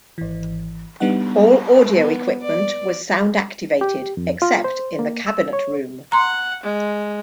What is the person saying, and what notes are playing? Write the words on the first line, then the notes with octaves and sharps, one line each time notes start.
All audio equipment was sound-activated, except in the Cabinet Room.
G#1 E3
G3 B3 D4 D#4 F#5
B3
D5
G4
F2
F4
C5
A#3
E6
C#5
F#5 A#5 C6
G#3